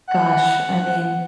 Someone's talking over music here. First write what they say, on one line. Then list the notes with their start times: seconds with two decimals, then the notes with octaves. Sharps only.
Gosh, I mean,
0.08 F#5